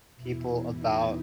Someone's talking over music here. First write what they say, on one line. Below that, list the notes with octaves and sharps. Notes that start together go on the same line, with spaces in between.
people about
E2 B2 E4
D#4